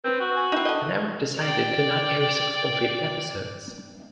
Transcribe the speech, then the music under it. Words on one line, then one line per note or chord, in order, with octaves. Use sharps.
The network decided to not air six completed episodes.
C4 B4
F#4
G#5
C4 D#4 E4
D3 D#5
D5 G5